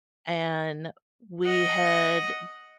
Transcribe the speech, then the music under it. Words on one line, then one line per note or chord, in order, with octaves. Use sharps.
And we had
D#5 F#5